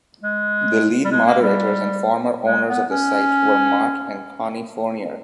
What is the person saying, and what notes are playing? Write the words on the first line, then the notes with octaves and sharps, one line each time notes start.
The lead moderators and former owners of the site were Mark and Connie Fournier.
G#3
G3
G#3
A#3
G3
G#3
B3
C#4